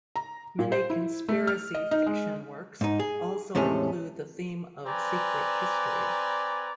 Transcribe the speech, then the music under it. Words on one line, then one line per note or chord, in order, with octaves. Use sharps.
Many conspiracy fiction works also include the theme of secret history.
A#5
A#2
C5
E4
A3
F6
D#5
D#4
G#3
G#2 D#4
G#4
E2 A2 C3 G#3 A3 C#4
C4 B4 D5 G#5 A#5